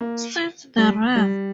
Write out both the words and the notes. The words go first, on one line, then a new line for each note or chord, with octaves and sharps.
Since the Rev.
A#3
G3
G3